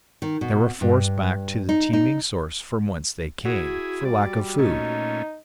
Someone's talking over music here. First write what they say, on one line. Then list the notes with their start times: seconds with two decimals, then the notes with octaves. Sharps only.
They were forced back to the teeming source from whence they came, for lack of food.
0.22 D#3
0.41 B2
0.81 G2
1.69 D#4
1.93 D#4
3.45 E4 F#4 G#4
4.05 G3 D5
4.59 A#2 A3 C#4 D#4